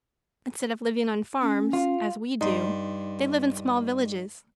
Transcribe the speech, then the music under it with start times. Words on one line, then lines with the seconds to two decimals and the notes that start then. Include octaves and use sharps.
Instead of living on farms as we do they live in small villages.
1.42 C#4
1.73 F4
2.41 G2 D#4 D#5 C6